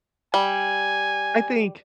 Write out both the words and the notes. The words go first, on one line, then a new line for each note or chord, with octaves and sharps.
I think
G3 G#5